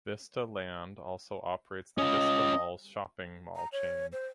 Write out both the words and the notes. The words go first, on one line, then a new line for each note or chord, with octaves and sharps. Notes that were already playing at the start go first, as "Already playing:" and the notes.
Vista Land also operates the Vista Malls shopping mall chain.
C#4 F4 D#5
A#5
C#5
C5